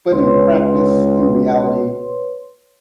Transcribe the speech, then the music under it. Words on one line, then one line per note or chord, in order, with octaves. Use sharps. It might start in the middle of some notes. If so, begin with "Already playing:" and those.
but in practice, in reality,
C#2 B4 C#5 C6